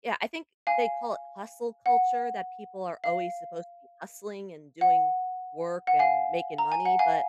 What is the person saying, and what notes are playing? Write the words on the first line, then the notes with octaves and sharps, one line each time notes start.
yeah, I think they call it "hustle culture" that people are always supposed to be hustling, and doing work, and making money, but
F5 G#5
F#5
F5
F#5
F#5
F5 G#5
A#5
G#5
F#5
F5 G#5